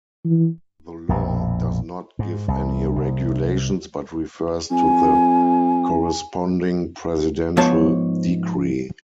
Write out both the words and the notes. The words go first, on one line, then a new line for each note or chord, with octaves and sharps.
The law does not give any regulations, but refers to the corresponding Presidential Decree.
E3
A#1 F2 B2
G#2
C2
C2
F2 G#5
G#2 F3 B3 C5 C#5 A5